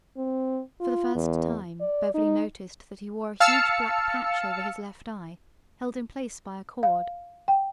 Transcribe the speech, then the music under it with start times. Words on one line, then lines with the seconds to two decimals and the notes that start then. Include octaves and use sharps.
For the first time, Beverly noticed that he wore a huge black patch over his left eye, held in place by a cord.
0.17 C4
0.81 F4
1.15 E2
1.81 D5
2.14 D#4
3.40 F5 A5 E6 F6 A6 C#7
6.83 F5
7.48 G5